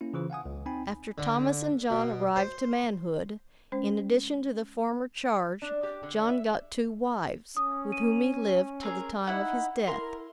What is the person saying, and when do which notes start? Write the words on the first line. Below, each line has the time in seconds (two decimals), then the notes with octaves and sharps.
After Thomas and John arrived to manhood, in addition to the former charge, John got two wives, with whom he lived till the time of his death.
0.01 A#3 C#4 E4
0.14 C#3 E3 F4 C5
0.30 F5 F#5 G#5 D#6
0.45 C#2
0.66 C4 D#4 G5 G#5 B5
1.18 D3
1.90 B2
2.36 C5
3.72 G#3 C#4 C5
5.62 D4
5.83 G4
6.03 D3
6.28 E5
7.57 C#4 D#6
7.92 D#7
8.81 C4 G#4 A#4
9.27 D#4 E4 F#5
9.87 E4 A#4 C6